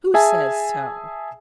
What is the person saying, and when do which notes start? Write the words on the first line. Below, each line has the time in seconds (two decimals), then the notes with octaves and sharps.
"Who says so?"
0.14 G#4 E5 G#5 A5